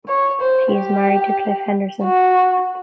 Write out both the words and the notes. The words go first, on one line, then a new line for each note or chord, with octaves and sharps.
She is married to Cliff Henderson.
C#5
C5
G4
F#4